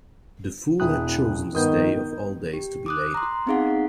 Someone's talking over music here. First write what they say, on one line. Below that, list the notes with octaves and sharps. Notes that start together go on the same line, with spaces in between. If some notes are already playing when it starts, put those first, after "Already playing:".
The fool had chosen this day of all days to be late.
E1 B3 E4 G5 D#6 F#6
G2 D#3 B3 D#6 G6
G4
D6 D#6 F#6
A#5 C6
B3 C4 D#4 G#4 F5 F#5